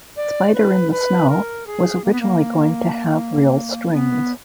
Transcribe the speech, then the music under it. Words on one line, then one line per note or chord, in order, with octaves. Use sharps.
"Spider in the Snow" was originally going to have real strings.
D5
B4
B4
A#4
G#4
A#3
B3
A#3
B3